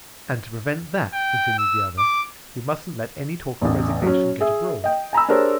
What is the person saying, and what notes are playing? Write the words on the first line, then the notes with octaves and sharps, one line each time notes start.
"And to prevent that," continued the other, "we mustn't let any talk of resignation get abroad."
G5
E6
D6
A1 E2
F#3 C#4
G#4 E5
D#5 G5
G#5 A#5 B5 E6
D4 G4 G#4 A#4 C5 C#5